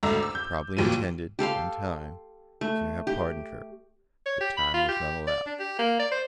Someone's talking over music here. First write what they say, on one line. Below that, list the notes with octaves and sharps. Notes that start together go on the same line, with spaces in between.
She probably intended, in time, to have pardoned her; but time was not allowed.
G#1 D2 A3 A#5 D6 E6
E6
G6
D#2 A#2 F3 F#3 D#7
G4 A4 F5 C6
A3
G4
C#5
G4
B5
F4
G4
D5
D4
G4
A#3
D5
C5